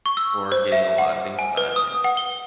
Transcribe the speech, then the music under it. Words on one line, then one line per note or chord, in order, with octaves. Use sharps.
for getting a lotta things done and
C#6
E6
C5
E5
F#5
G#5
B4
D#6
F#5
G7